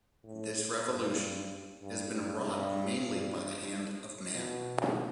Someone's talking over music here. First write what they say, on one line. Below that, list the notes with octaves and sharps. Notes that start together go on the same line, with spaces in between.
This revolution has been wrought mainly by the hand of man.
A2
G2
G2
G2
G2
G2
B2